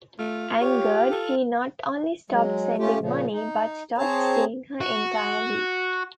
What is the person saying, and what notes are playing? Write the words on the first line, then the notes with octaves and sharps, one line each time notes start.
Angered, he not only stopped sending money, but stopped seeing her entirely.
A3 F4
G4 C#5
A4
F#3 G#3
A3 C#4 F4 G4
A#2 C#3 F3
D#4
C4 G#4 C5 C#5 A5 A#5
F#4